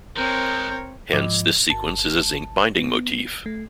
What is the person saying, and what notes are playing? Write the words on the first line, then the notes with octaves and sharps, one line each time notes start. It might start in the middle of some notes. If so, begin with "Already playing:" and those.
Hence, this sequence is a zinc-binding motif.
F3 G#3 C4 A#4 C#5 G6
G#2 F3 D#5 D6
G1 A5
B3
A3